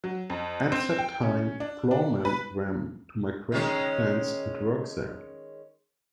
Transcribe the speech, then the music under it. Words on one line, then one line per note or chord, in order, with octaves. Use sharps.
At that time ploughmen were to migrate to plants and work there.
F#3
F2
C4
G5
C#4
D4
D4
B4
D#3 G#3 C#4